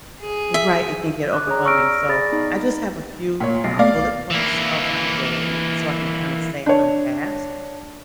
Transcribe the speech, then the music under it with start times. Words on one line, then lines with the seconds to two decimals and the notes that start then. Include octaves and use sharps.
Right, it can get overwhelming. So, I just have a few, uh, bullet points of my day, so I can kinda stay on task,
0.22 G#4
0.54 E5
1.33 D6 F#6
1.47 G#4 C#5 A#5
1.65 D5 C#6 E6 F6 A#6 D7
2.09 G#4 D5 B5 A6 A#6
2.31 B3 D#4
3.40 A#2 C#5
3.64 B1 C7
3.79 A3 B3 D5 F5
3.97 B1
4.30 E3 A#3
6.66 D4 C#5